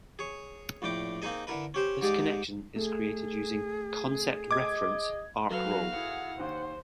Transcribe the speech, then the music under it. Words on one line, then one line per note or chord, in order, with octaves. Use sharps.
This connection is created using "concept-reference" arcrole.
G#4 C#5
A#1 A2 D4 G5 D6
A#3 C4 D#4 G#4 D#5
D3 E4 A#4 B4
C#4 G4 C5
G#2 G4 G#4 D5
A3 G#4 A4
D#5 D6 G#6
F#3 F#4 A4 B4 F5
E4 G#4 F#5
D#2 C5